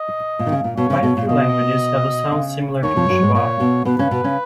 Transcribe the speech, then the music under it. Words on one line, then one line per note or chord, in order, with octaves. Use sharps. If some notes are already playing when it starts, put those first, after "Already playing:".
Quite a few languages have a sound similar to schwa.
Already playing: D#5
A#2
D#3
C#3
A#2
B2 C#5
C#3
B2
A#2
B2 D#5
C#3
D#2 D#3 C#5
F2 F3
F#2 F#3
G#2 G#3
A#2 A#3 C#5
B2 B3
B2 B3 B4
C#3 C#4
B2 B3
C#3 C#4